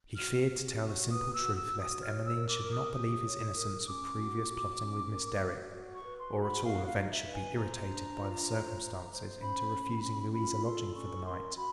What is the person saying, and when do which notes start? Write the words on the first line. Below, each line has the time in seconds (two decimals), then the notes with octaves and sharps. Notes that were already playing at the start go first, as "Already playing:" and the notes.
He feared to tell the simple truth lest Emmeline should not believe his innocence of previous plotting with Miss Derrick, or at all events should be irritated by the circumstances into refusing Louise a lodging for the night.
0.18 F#4 F6
0.48 F#4
0.79 F#4
0.87 C#6
1.10 B4 D#6
1.32 E6
1.41 F#4
1.56 E6
1.71 F#4
1.79 D#6
2.02 C#5 F6
2.26 E6
2.32 A#4
2.49 D6
2.64 A#4
2.71 D#6
2.94 G4 D#6
3.26 C#5
3.57 A#4
3.86 C#4 D6
4.18 F#4
4.49 F#4
4.79 C#4
5.11 A#4
5.40 F#4
5.72 F#4
5.94 C#6
6.02 B4
6.18 C6
6.33 F#4
6.41 B5
6.64 F#4 F5
6.87 F5
6.95 D#4
7.10 E5
7.25 B4
7.33 G#5
7.56 C5 A#5
7.87 D4
8.19 F4
8.49 C5
8.79 C5
9.11 C5
9.41 C#4 B5
9.71 C#4
10.02 C#4
10.34 F4 B5
10.64 A4 C6
10.94 C#4 C#6
11.26 A#4 C6
11.56 F#4 B5